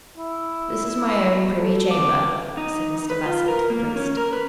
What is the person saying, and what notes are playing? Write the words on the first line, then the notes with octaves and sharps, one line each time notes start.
"This is my own privy chamber," said Mr. Bassett to the priest.
E4
A4
B3 D6
D#4
B4
F4
A#4
A#3
C#4
A#4
B4